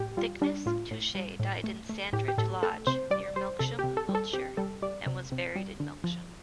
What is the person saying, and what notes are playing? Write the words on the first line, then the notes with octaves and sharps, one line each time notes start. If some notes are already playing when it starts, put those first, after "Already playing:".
Thicknesse-Touchet died in Sandridge Lodge, near Melksham, Wiltshire and was buried in Melksham.
Already playing: A2 G4
G3 F4
G3 D4
A2 F4
A2
G3
A2
A3
A3
A2 G4
G4
A2 A4
A3 A4
C3 C5
G3 D5
G3 C5
C3 A4
G4
C3
A4
G3
A4
C3 G4
G3 A4
G3 D5
C3
C3
G3
D3
F3